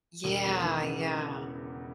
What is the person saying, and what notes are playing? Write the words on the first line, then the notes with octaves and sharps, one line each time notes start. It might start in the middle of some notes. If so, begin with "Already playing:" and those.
Yeah, yeah.
E1
E2
E3
C#3